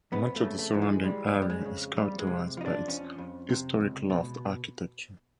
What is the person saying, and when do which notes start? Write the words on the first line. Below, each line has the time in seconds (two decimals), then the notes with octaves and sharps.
Much of the surrounding area is characterized by its historic loft architecture.
0.12 F2 B3
0.36 A3
0.43 C#3
0.59 A3
0.74 E3
0.82 G#3
1.04 G3 G#3
1.27 G3
1.35 F2
1.42 G3
1.50 G#3
1.66 C#3
1.97 F2 G3
2.19 G#3
2.27 C3
2.57 F3 D#4
2.66 D4
2.88 F2 C#4
3.18 F2
3.49 C3
3.80 C#2
4.10 B2